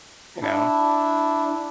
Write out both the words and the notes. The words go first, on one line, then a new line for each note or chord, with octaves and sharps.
You know?
D4 E4